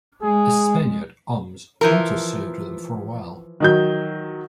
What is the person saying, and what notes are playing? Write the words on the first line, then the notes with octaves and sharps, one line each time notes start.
A Spaniard, Oms, also served with them for a while.
G#3 G#4
E3 F3 A#4
D#3 F#3 G6